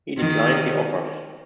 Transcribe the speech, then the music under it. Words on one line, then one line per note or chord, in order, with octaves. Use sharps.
He declined the offers.
D#3